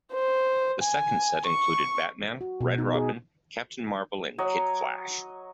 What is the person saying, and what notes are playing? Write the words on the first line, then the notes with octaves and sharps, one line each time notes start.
The second set included Batman, Red Robin, Captain Marvel, and Kid Flash.
C5
G#5
C#6
F#4
B2
D#4
G#4
F#3 C#5 D#5